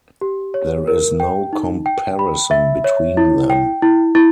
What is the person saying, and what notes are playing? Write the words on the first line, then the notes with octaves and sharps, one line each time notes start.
There is no comparison between them.
G4
C#5
A#4
G5
D#4
G5
B5
E5
C#5
E4
G5
E4
E4